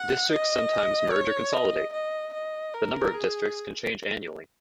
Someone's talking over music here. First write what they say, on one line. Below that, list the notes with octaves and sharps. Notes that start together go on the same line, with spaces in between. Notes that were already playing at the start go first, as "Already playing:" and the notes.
Districts sometimes merge or consolidate; the number of districts can change annually.
Already playing: F#5
D#5
C#5
D#5
D#5
D#5
A#4
G#4